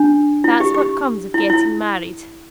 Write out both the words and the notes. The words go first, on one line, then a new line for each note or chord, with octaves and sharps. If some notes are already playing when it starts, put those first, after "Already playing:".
That's what comes of getting married.
Already playing: D4
E4
G4
G4
E4
E4